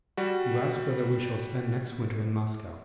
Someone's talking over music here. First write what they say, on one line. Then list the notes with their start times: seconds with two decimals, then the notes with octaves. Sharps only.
You ask whether we shall spend next winter in Moscow.
0.17 G3 F#4